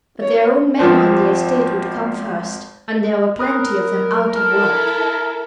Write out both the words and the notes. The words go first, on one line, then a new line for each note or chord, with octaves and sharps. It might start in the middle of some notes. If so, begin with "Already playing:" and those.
But their own men on the estate would come first, and there were plenty of them out of work.
C#5
G#1 F3 C4 C5
A#4 B5 D#6 F#6
F#3
E4 A4 F6